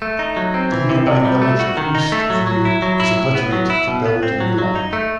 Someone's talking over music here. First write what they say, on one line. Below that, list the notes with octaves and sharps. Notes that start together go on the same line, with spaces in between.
The nearby village of East View was obliterated to build the new line.
A3
D#4
F#3
C4
E3
C3
C3
G3
A3
F#4
D#3
D#4
A3
F#3
F#3
E4
F#3
E4
A2
B3
F#3
E4
B2
B3
C4
F#3
F#3
D#4
A3